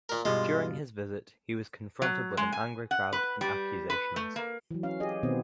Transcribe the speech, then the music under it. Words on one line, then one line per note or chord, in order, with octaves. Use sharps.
During his visit he was confronted with an angry crowd and accusations.
A#2 A#4
G2 B2 G#3 F4
F#3
G#3
G#5
F#5
B4
G3
B4
A3
A#3
E3 F#3
C#4 F5
G4 G#4 D#5
B2 D#3 B3 C4